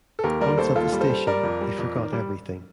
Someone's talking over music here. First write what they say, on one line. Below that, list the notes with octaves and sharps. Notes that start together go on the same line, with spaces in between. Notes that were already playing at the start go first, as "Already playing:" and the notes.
Once at the station, he forgot everything.
A4
D#2 G4 A#4
G3 A#4 D5
D#2 A4 C5
D#2 F4 A4
G3
A4 C5
G3
G3 A#4 D5
F2
G3
F2
D#3
G3